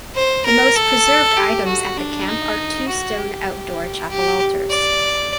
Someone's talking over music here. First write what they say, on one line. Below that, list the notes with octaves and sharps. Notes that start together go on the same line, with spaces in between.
The most preserved items at the camp are two stone outdoor chapel altars.
C5
A#4
A4
G4
F#4
D4
D#4
F#4
G4
G4
D5